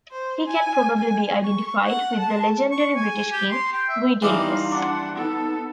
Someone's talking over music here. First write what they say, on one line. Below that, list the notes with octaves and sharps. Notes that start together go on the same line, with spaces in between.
He can probably be identified with the legendary British king Guiderius.
C5
G#5
G#5
C#6
F#5
A5
C#6
G#5
G4
C6
G5
E5
E3 G3 D#4 F5 G#5 C6 D6 D#6
D4 E4 F#5 D6
B3 D#4 A4